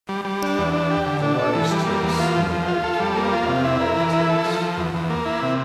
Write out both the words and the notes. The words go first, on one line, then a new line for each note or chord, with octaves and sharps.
The largest ticks in the United Kingdom are mole ticks.
G3
G3
D4
E2
D4
G4
D3
D4
A4
E3
G3
A#3
E2
F4
F3
F3
F4
A4
G3
A#3
F4
C3
E4
A#4
E3
E4
A4
F3
F3
E2
E2
A#3
E4
C3